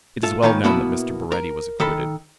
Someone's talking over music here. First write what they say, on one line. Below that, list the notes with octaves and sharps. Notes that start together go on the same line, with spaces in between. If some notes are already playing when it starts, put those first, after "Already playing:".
It is well known that Mr. Baretti was acquitted.
F4 A4 E5
A#2 D#3 B4 C#5
B2 A#3 B3 E4 E5 B5
A#4
D#3 A4 B5